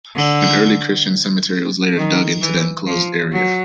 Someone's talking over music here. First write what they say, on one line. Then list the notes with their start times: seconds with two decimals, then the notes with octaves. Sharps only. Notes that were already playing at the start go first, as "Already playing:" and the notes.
An early Christian cemetery was later dug into the enclosed area.
0.15 D3
1.96 D#3
2.41 E3
2.86 F3
3.32 F#3